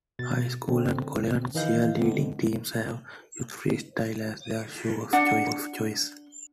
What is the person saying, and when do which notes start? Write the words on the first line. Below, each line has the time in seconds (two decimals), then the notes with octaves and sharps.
High school and college cheerleading teams have used Freestyles as their shoe of choice.
0.19 B2 A6
0.69 D3 C4
1.54 D#3 E3 D#5 F5 G6
1.99 D3 G#3 B3 C4
5.13 D4 F#5